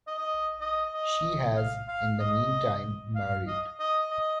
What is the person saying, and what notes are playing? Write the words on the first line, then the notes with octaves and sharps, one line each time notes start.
She has, in the meantime, married.
D#5
D#5
D#5
D#5
F5
F5
D#5
F5
D#5
D#5
D#5